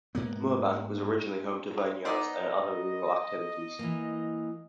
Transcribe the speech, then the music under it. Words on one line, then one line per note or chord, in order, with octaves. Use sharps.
Moorebank was originally home to vineyards and other rural activities.
G#2 A#3 B3
B3 D#4 C5 D5 D#5
E3 A#3